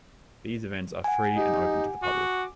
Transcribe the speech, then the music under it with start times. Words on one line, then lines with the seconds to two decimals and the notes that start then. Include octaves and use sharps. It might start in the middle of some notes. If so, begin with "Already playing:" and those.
These events are free and open to the public.
1.04 F#5 G#5
1.35 D#4 G4
2.03 F#4 D6